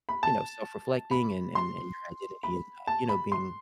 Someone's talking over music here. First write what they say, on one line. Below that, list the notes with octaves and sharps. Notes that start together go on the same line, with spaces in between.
you know, self-reflecting and and and your identity and, uh, you know, being
B5
A5
B5
C6
B5
A5
B5
C6